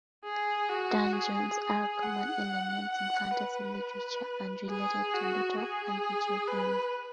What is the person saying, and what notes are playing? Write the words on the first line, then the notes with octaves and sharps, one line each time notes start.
Dungeons are common elements in fantasy literature, and related tabletop and video games.
G#4
F#4
G#4
G#4
F#5
F#5
B4
G#4
F#4
G#4
B4